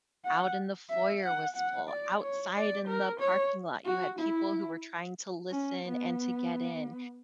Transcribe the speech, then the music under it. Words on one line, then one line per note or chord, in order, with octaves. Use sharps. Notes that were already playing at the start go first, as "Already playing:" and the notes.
out in the foyer was full, outside in the parking lot, you had people who were trying to listen and to get in.
F#5
E5
F#5
F#5
D5
C#5
D5
A#4
C#5
F#4
E4
C#4
B3